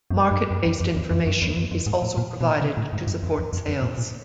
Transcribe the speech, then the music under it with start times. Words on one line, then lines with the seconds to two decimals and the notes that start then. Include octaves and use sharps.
Market based information is also provided to support sales.
0.11 F#2
0.31 G2
0.51 F#2
0.66 F2
0.80 F2
0.96 E2
1.11 F2
1.27 F#2
1.42 E2
1.57 F2
1.71 F2
1.86 G#2
2.02 A2
2.17 A#2
2.41 B2
2.47 A#2
2.62 C#3
2.77 A2
2.93 G#2
3.07 G2
3.23 F2
3.38 E2
3.53 F2
3.68 F2
3.82 A#2
3.98 A#2